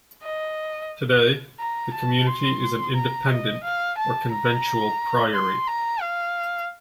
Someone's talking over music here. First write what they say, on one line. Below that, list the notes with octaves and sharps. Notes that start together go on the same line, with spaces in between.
Today, the community is an Independent or Conventual Priory.
D#5
A#5
A5
C6
A#5
D#5
F5
A5
A#5
C6
A#5
F5